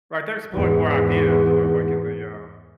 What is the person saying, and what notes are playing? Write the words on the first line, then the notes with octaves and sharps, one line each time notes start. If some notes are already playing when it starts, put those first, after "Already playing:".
Right, they're exploring more ideas, you know, like in the j uh
E2 G#2